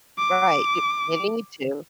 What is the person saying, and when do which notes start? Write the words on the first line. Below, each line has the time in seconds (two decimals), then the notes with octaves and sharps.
Right, you you need to,
0.19 D6